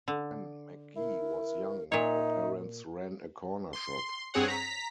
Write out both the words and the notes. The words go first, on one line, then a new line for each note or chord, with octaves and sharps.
When McGee was young her parents ran a corner shop.
D3
E4 A#4
A#2 D#4 C#5 E5
C6
G2 C4 G#4 C#5 F#5
A#5 B6